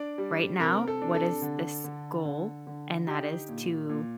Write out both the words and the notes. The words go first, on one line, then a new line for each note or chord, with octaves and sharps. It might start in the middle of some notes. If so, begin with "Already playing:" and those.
right now, "What is this goal?" And that is to,
Already playing: D4 D5
G3
C3 A#4
A4
D4
A4
D3
D3
D3
D3
D#4 G4
A#2
A#2